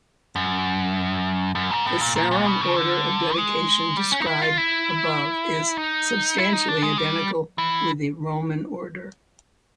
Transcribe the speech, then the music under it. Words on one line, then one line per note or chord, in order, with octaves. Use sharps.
The Sarum order of dedication described above is substantially identical with the Roman order.
F#2
F#2
G#2
A2
A#2
A#2
A#2
B2
C#3
D3
G#3
G3
C#4
D#4
E4
F4
E4
D#4
E4
D#4
D4
G#3
G3
E3